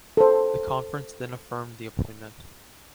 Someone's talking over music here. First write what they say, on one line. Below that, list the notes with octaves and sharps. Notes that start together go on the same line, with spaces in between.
The conference then affirmed the appointment.
A4 C5